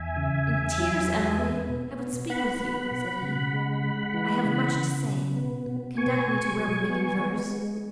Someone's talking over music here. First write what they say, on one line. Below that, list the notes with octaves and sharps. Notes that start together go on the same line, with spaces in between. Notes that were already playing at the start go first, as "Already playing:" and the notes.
'In tears, Emily! I would speak with you,' said he, 'I have much to say; conduct me to where we may converse.
Already playing: E2 E5 G#5
C#3
E2
F#3
E2
B3
B2
B3
B3 F#5 B5
B3
B2
C#3
G#3
G#3
E3
C#3
C#3
B2
B3
B2
B3 G#5 C#6
B2
F#3
B3
G#3
G#3